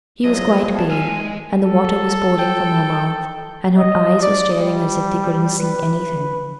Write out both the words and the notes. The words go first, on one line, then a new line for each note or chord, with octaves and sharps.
She was quite pale, and the water was pouring from her mouth, and her eyes were staring as if they couldn't see anything.
E2 F3 F#3 D#5
A5
E5 F5 G#5
G#3
A4
G5
D#5
D5
G3
B4